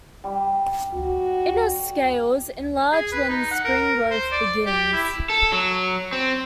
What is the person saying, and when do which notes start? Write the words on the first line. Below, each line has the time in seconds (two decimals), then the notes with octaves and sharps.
Inner scales enlarge when spring growth begins.
0.24 G3
0.94 F#4
2.92 G#4
3.12 B4
3.29 D#4
3.51 F#5
3.65 A#4
4.11 C5
4.32 D5
4.66 G4
4.93 E4
5.30 A4
5.52 F#3
6.12 C4